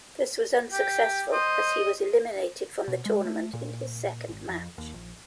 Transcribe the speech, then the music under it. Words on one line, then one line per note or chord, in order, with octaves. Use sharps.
This was unsuccessful as he was eliminated from the tournament in his second match.
G4
C5 D#5
B2
G#3
A3
A#2
G#1
F2
D#2
A#1